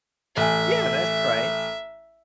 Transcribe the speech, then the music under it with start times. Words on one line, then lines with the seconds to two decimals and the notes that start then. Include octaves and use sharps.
Yeah, that's right.
0.37 A1 E5 G#5